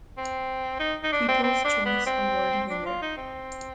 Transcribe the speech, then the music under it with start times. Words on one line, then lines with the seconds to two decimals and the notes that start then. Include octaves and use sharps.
People's Choice Award winner.
0.18 C4
0.80 D#4
1.04 D#4
1.12 D4
1.28 C4
1.44 C4
1.64 D4
1.85 B3
2.06 C4
2.70 D4
2.86 F4
3.02 D#4
3.17 C4